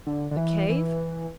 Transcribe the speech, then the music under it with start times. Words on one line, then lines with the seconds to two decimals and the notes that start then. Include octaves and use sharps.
"The cave?"
0.06 D3
0.31 D3
0.37 E3
0.69 E3